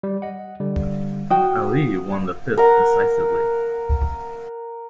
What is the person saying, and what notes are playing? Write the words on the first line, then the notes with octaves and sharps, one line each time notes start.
Ali won the fifth decisively.
G3
D#5 F#5
D3 G3
F#4 G5 D#6
A#4 F#5